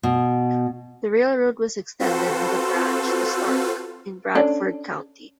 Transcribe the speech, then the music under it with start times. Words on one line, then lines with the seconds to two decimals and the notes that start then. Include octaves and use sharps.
The railroad was extended with a branch to Starke, in Bradford county.
0.03 B2
1.99 C4 F4 F#4 A4 B4 C5
4.35 C#4 D4 A4